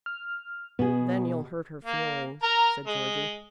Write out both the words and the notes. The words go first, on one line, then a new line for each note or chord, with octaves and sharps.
"Then you'll hurt her feelings," said Georgie.
F6
B2 B3 G#4
A#3
A#4 A#5
G#3